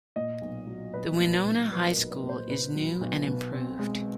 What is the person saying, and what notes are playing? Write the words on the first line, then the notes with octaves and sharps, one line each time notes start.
The Winona high school is new and improved.
A#2 D#5
B1
F#3
B1 B4
A#2
B4
B1
F#3 B4
A#4
B1
B4
A#2
C5
B1 B4
F#3
B1
B2
C4
G#3